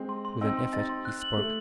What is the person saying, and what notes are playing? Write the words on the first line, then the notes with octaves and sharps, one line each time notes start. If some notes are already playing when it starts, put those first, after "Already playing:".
With an effort he spoke.
Already playing: G#3 C4
C6
C6
C4 D#4 E6
C6
C4 D#4 A6
C6
F#6
F#7
A3 F#7